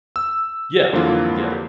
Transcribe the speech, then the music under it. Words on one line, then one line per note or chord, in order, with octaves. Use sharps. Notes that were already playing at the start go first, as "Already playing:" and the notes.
Yeah, yeah.
E6
F2 D3 E3 F#3 A#3 F4
G4